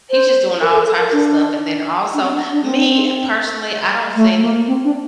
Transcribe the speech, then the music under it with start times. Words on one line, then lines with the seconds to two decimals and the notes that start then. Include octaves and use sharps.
he's just doing all types of stuff, and then also me, personally, I don't think
0.11 C5
0.61 A#4
0.74 A4
0.86 A4
0.99 A#4
1.12 D4
2.14 D4
2.22 C4
2.30 D4
2.52 D4
2.64 C4
4.16 A3
4.37 A3
4.42 A#3
4.67 C4
4.84 D4